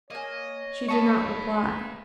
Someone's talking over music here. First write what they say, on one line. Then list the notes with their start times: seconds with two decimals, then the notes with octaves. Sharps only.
She did not reply.
0.10 A#3 C#5 D#5 G#5
0.88 B4 D#5 F5 A5 C#6